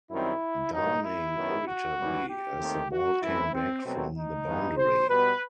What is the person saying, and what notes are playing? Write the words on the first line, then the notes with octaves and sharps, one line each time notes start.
Downing irritably, as the ball came back from the boundary.
F#2 D#3 G3 C4 E4
G2 D#3 F#3 D#4
E4
F#2 D#3 F#3 B3
F#4
F#2 E3 G3
G4
D#2 D#3 A3 C4
F#4
F#2 E3 A3 C4 E4
C4
B2 F#3 A3 C4
D#4
G2 E3 B3
C5
B2 G3 B3 B4